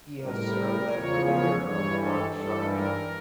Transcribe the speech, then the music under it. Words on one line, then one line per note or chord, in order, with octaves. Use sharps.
He has served as the Mayor of Rajshahi.
A2 G3 A#4
E2 C#3 F3 C#5
C#5
G2 E3 G3 C#5
A4
G2 E3 G3 A4
A#4